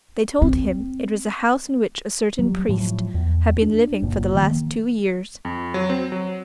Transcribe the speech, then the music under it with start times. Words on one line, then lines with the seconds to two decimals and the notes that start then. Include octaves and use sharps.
They told him it was a house in which a certain priest had been living for the last two years.
0.42 C4
2.39 F#3 G3
2.69 A2 F3 F#3
3.14 E2
3.62 D4
4.02 F#1 A#2
4.35 D#3 F3 A#3
5.45 F2
5.74 F#3
5.90 C4
6.12 F#3